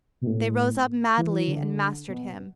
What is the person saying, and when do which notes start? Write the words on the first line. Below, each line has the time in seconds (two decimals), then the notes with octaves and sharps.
They rose up madly and mastered him.
0.22 B2
0.27 A2
1.18 E3
1.47 D3
2.08 B2